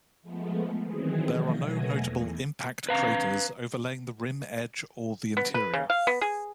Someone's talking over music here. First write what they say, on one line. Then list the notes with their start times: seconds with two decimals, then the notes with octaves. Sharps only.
There are no notable impact craters overlaying the rim edge or the interior.
0.22 F3 G#3 A3 B3
0.83 D#3 E3 F#3 C4 G#4
1.30 B2 D#3 F3 G3 A3 A#3
1.59 B2 F#3 A3 B3 G#5 A#6
1.96 E2
2.89 B4 F5 A#5
5.37 B3
5.54 B4
5.74 C#3
5.90 F5
6.07 B3
6.21 G#4